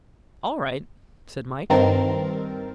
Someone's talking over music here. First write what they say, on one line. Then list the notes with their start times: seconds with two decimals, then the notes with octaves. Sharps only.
"All right," said Mike.
1.70 G2 D#3 C4 A#4 A6